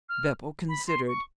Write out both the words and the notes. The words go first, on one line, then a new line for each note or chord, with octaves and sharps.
Beppo considered.
F6
B5
C6
C#6